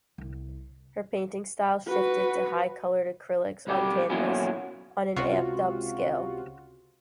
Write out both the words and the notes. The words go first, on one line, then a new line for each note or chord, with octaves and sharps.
Her painting style shifted to high-colored acrylics on canvas, on an amped-up scale.
C2
F#4 B4
B1 G3 G4
A#2 F3 F#3 B3 C#4 E4
C#2 C3 F4 F#4